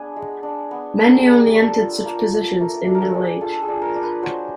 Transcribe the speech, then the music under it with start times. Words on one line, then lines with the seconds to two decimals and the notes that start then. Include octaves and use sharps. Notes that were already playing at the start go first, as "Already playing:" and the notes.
Many only entered such positions in middle age.
Already playing: B3 D4 G#4
0.16 G#3
0.43 D4
0.71 B3
0.98 A#3 A4
1.19 G#4
1.24 D4
1.32 G#4
1.39 G4
1.52 D4
1.59 A4
1.80 F4
2.05 A#3
2.33 A#3
2.60 A3 A#4
2.87 D4 A4
2.95 A#4
3.02 A4
3.14 D4 G#4
3.41 F4 A4
3.53 A4
3.62 G#4
3.68 D4
3.82 A#4
3.96 D4
4.03 B4
4.22 F#3 C5